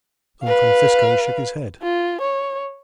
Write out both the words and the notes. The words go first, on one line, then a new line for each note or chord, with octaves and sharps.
Don Francisco shook his head.
B4 F5
F4
C#5